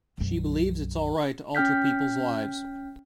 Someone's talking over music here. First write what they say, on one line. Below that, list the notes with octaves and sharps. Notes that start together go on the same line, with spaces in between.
She believes it's all right to alter people's lives.
B1 F#2
C#4 G5 F6 G6 B6